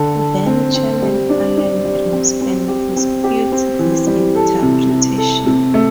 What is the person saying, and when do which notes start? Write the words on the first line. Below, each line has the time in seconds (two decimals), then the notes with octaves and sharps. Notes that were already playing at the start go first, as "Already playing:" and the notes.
Then-Chairman Alan Greenspan disputes this interpretation.
Already playing: D3 A4
0.19 A4
0.46 C4
0.75 C4
1.02 G3
1.29 D4
1.57 D4
1.85 G3
2.13 C4
2.41 C4
2.68 G4
2.96 C4
3.24 G4
3.52 C4
3.79 E3
4.07 G3
4.36 A4
4.62 C3
4.90 C3
5.18 A4
5.46 C3
5.74 A3